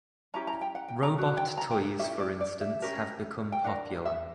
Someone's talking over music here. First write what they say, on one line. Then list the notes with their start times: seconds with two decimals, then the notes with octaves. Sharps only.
Robot toys for instance have become popular.
0.34 C#4 E4 G4 A#5
0.47 A#5
0.61 G5
0.75 F#5
0.88 G5
1.03 A#5
1.18 D4 F#4
1.37 G5
1.57 A#5
1.71 G5
1.85 G5
1.99 C#4 E4 G4 E5
2.20 D5
2.41 D5
2.61 E5
2.82 C#4 G4 A#4
3.52 G5
3.64 D4 A#4 F#5
4.06 E5